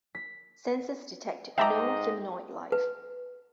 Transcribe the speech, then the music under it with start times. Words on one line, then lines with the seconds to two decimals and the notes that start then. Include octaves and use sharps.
Sensors detect no humanoid life.
0.15 B6
1.58 G#2 D#5 E5 G5 A5 A#5 D6
2.72 B4